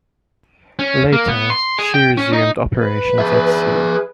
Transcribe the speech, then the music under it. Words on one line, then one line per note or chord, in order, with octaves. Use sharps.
Later, she resumed operations at sea.
C#4
A#3
B3
C6
G#4
G5
C#4
D#4
B4
G#4 E5